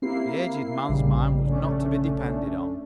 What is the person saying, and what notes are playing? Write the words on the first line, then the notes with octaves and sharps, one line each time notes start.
The aged man's mind was not to be depended on.
A#3 C4 E4 G4 C7
A#1 G#2 C#3 G3
A3 C#4 D4